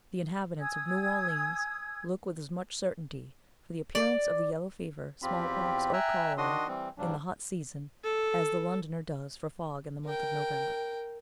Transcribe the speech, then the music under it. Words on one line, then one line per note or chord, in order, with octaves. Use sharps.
The inhabitants of New Orleans look with as much certainty for the appearance of the yellow-fever, small-pox, or cholera, in the hot season, as the Londoner does for fog in the month of November.
G#5 D#6 E6 G#6
D5
E2 C4 F4 G4 B5
E5 G5 G#5 A#5 E6 F#6
D#3 D4 F#4 D#5 C6 D#6
E3 G3 C4
G#2 C#3 F#3 G3 D4
A4
A#4 G5